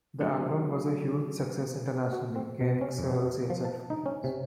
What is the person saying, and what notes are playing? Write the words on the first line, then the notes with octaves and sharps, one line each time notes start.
The album was a huge success internationally, gaining several sales certifications.
D3 F#3 G#3 A3
F#4
C4
B2
C#4
F2
C3
F3
A5
D#4
C#4
C3